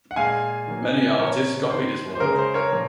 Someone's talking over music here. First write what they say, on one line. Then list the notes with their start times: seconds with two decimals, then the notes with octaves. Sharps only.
Many artists copied his work.
0.11 F#5
0.16 A#2 G#3 F5 G#5
0.67 D#3 F#3 A#3
1.19 A#2 F3 A#3 A#4 C#5
1.70 D#3 A#3 C5
2.15 C5
2.20 C#3 G#3 A#4
2.38 C5
2.54 A#4 C#5
2.72 A#2 F3 A#3